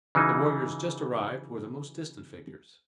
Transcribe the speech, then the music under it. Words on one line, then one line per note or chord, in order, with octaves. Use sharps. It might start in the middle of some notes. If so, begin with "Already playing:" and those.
The warriors just arrived were the most distant figures.
C#3 E3 F#3 D#4